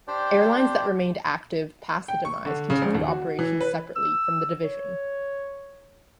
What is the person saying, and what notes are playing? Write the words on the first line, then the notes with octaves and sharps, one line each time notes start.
Airlines that remained active past the demise continued operations separately from the division.
D4 G4 C5 D5 G5
G5
C#6
D3
C#3
A#1
D#2
F#4
E3
B4
E6
C#5